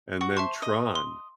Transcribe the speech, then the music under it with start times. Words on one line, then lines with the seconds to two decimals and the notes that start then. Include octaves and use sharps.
and then Tron,
0.21 F#4 C#6
0.37 C5 E5 A5 C#6
0.62 D#5
0.95 C6